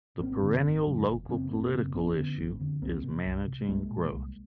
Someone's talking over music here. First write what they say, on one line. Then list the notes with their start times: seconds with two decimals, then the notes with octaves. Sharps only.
The perennial local political issue is managing growth.
0.20 G#1 A#3 C4
0.42 F#2 D3
0.64 G#1
0.86 F#2 D3
1.08 F#1
1.29 F#2 C#3 A#3 C4
1.51 F#1 A#3 C4
1.73 F#2 C#3
1.95 G1 B3 C#4
2.16 F2 D3
2.38 G1
2.60 F2 D3
2.82 C2 A#3 C4
3.03 C3
3.25 C2
3.47 C3
3.68 C2 G#3 A#3
3.91 A#2
4.12 C2